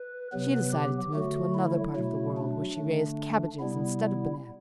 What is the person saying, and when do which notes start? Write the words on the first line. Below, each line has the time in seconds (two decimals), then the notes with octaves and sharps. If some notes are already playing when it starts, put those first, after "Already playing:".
She decided to move to another part of the world where she raised cabbages instead of bananas.
Already playing: B4
0.32 C3 F#3 B3 B4
0.73 G4
1.14 D3 F#3 A3 F#4
1.55 E4
1.96 B2 F#3 A3
2.37 D4
2.78 D3 A3
3.59 C3 G3 B3 E4